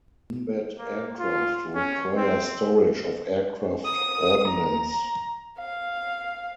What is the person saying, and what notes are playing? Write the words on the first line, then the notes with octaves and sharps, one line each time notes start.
Combat aircraft require storage of aircraft ordnance.
A#3
F4
C#4
C4
D#6
A#5
F5